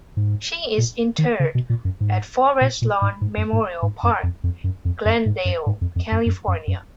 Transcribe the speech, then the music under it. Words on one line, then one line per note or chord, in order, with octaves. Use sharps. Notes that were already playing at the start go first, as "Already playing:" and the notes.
She is interred at Forest Lawn Memorial Park, Glendale, California.
G#2
A#2
D#3
C#3
B2
A#2
F#2
G#2
A#2
A#2
G#2
G#2
F#2
G#2
G#2
F#2
F2
F2
F#2
F2
F#2
G#2
F#2
G#2
F2
F2
F#2
F#2
F#2
F#2